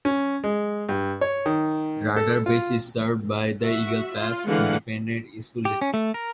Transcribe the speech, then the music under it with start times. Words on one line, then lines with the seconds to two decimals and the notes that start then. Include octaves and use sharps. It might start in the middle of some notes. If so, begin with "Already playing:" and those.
Radar Base is served by the Eagle Pass Independent School District.
0.05 C#4
0.44 G#3
0.89 G2
1.21 C#5
1.46 D#3
2.16 A4
2.46 F4
3.61 F#4 E5
4.14 F4
4.48 D3 E3 G#3 F5 F#5
5.65 G4
5.81 C#4
5.94 A3
6.14 A#4